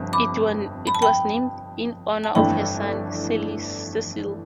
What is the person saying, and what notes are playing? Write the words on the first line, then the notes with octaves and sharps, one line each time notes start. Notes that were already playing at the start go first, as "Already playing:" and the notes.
It was named in honour of her son, Cecil.
Already playing: G1 F2 C3
B5 D6
B5
A5
G5 B5
A5
G1 F2 E3 A3 D4 G5 B5